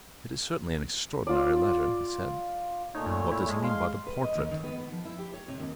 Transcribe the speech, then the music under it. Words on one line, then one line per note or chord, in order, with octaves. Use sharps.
"It is certainly an extraordinary letter," he said, "what does he mean by the portrait?"
F4 D5
A#2 A3 D#4 C#5
F#2
E4
G#3
F5 C6
B4
D#5
D#2
D#3
B3
B3
F3
E4
G4
C#5
C3
D#2